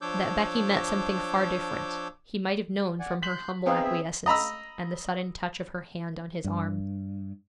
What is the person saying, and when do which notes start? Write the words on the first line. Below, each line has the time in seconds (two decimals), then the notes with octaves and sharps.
That Becky meant something far different, he might have known from her humble acquiescence, and the sudden touch of her hand on his arm.
0.01 F3 D4 C#5 D6 E6 G6
2.99 D5 F#5 G#5
3.23 C6 F#6 G6 B6 F#7
3.66 B3 C4 D#4 G#4 F5
3.83 G#4 E5
4.26 D#5 A#5 B5 E6
6.44 G2